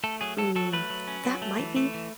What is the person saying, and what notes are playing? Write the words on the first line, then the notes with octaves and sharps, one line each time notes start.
Mm, that might be
A3 A4
F#3 G#4
F#3 A4
F#3 A4
A3 B4
F#3
C#4
F#3
A3
E3
A3
E3